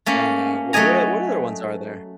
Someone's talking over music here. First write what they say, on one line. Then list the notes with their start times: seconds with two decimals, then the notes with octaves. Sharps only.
uh, w what o what other ones are there?
0.06 A3 A#3 C#4
0.73 F#3 A3 C#5 D#5 G#5 A#5